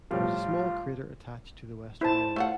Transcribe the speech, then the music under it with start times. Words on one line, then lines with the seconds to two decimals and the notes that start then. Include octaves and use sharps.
There is a small crater attached to the western rim.
0.11 A2 F3 G3 F4
2.01 E4 C5 A5
2.36 A3 F4 F#5